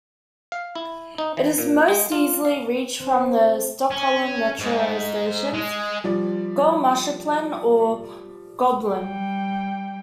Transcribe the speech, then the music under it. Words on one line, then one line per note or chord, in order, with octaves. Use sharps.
It is most easily reached from the Stockholm metro stations Gullmarsplan or Globen.
F5
E4
D#4
E3
A#2
G#3
F4
F5
C4
C#4
G#2
G#3
F3 G3 D5
G3 G5